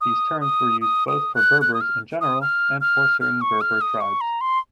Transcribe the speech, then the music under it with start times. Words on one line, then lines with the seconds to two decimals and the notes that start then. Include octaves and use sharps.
These terms were used both for Berbers in general and for certain Berber tribes.
0.01 D#6
0.41 D#6
0.81 D#6
1.08 D#6
1.35 F#6
1.61 F#6
1.74 D#6
1.81 F6
2.21 D#6
2.42 F6
2.81 F6
3.21 F6
3.41 C#6
3.61 F6
3.81 D#6
4.01 C#6
4.21 A#5
4.41 C6